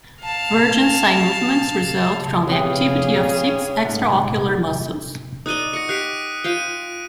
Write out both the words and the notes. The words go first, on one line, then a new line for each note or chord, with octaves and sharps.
Vergence eye movements result from the activity of six extraocular muscles.
F5 A5
F2 B3 G4 G#4 C#5 F5
G#2 F#5
D#4 D5 D#5 D#6 F#6 D#7
F#5 C#6 A#6 C#7
G4 F5 F#6 B6 D7
F4 F5 G5 C#7 D#7